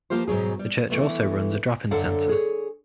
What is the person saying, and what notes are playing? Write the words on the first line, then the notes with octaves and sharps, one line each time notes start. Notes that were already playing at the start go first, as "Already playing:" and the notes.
The church also runs a drop-in centre.
F3 A#3 F4 G4 C5
G#2 B2 F#3 G#4
G3
E3 A3 B3
F#2 D3 F#3 A4 F5 F#5
G#4 C#5